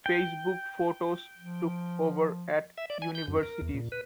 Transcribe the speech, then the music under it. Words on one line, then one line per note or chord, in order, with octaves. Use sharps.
Facebook photos took over at universities.
G5
F3
E5
D5
G#5
G6
F#2
A#4
E2
A#2
B4